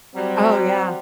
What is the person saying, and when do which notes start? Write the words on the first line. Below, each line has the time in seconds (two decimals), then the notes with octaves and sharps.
Oh, yeah.
0.15 F#3 G3 C4